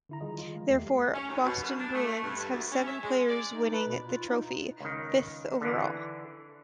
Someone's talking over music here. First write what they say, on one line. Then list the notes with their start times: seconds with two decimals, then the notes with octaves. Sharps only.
Therefore, Boston Bruins have seven players winning the trophy, fifth overall.
0.09 D3 E4 A#5
0.21 D#3 G3 F4 G#4 D#5
0.38 F4
0.56 F3 G#3
0.70 E2 A3 G4 C7
1.14 C#4
1.29 D#2
1.44 B2
1.61 F#2
1.79 D4
1.94 A3
2.24 G2
2.52 D2
2.72 C#4
2.86 E5
3.02 G#3
3.29 D5
3.53 D#4
3.72 B4
3.88 B2
4.03 F4
4.28 D#4
4.80 C#2 D#3
5.61 D3 E3